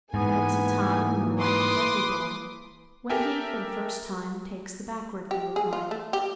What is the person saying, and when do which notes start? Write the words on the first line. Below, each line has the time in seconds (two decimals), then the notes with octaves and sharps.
There is a time in the life of every boy when he for the first time takes the backward view of life.
0.14 G#2 E3 A#3 B3 G#5
1.40 B4 C6 D6 D#6
3.09 G4 A4 A#4 E5 G5 G#5
5.31 G4
5.56 G#4
5.73 F4
5.91 A3
6.13 G4